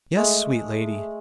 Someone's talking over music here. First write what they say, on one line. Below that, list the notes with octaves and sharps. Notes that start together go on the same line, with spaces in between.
"Yes, sweet lady."
G#3 A3